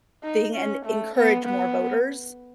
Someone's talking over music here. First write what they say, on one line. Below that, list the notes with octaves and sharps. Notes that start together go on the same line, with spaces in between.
thing and encourage more voters
D#4
C#4
A3
B3
B3